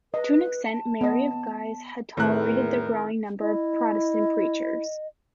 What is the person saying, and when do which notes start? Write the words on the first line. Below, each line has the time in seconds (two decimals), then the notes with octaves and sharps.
To an extent, Mary of Guise had tolerated the growing number of Protestant preachers.
0.14 B4 D#5
0.71 A5
1.01 B3 D#5
2.17 E2 A2 D#3 C4 E4 A#4 F#6
3.40 E4 D#5